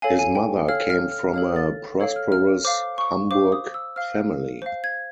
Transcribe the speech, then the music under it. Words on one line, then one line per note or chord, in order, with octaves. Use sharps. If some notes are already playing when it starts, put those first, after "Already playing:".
His mother came from a prosperous Hamburg family.
A4 C#5 F5 G#5
G#5
G5
A4 C#5 F5 F6
F6
F6
A4 C#5 F5 F6
A6
A4 C#5 F5
F6
F6
C5 F5 D6
C#6
C5 F5 D6
D#6
E6
C5 F5 F6
C5 F5
G#6